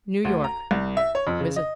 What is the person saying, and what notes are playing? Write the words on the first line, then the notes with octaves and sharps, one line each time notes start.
New York-Mrs.
D2
A#5
C2
E5
C#5
F2
C#3
D#5